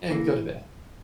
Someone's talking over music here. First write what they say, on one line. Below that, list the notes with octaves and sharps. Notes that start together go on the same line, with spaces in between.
and go to bed.
E3 A#3